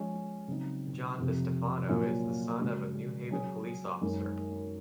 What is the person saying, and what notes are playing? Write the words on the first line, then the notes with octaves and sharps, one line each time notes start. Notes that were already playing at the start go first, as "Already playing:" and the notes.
John DeStefano is the son of a New Haven police officer.
Already playing: F3 G#3 C#4
C#3 F#3 C4 D#4
F2 C3 F3
A#2 F#3 C#4 F4
C#3 G#3 C#4 F#4
F#3 C#4 G#4
F#2 D#3 G#3 C#4 G#4